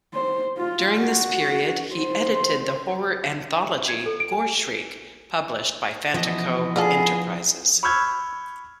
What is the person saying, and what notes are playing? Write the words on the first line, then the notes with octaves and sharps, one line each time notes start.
During this period, he edited the horror anthology "Gore Shriek", published by FantaCo Enterprises.
C5
F4
F#4
C5
G#6
A4
D7
G#5
B2 E3 F3 E4 D#5
D3 B3 F4 G#4 A4
B5 C#6 E6 F6 G6 G#6